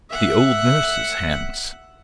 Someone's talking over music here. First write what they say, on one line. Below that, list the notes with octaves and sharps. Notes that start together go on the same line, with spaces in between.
The old nurse's hands.
E5 F#5